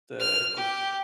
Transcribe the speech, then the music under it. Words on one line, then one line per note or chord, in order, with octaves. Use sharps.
the the
F6
G4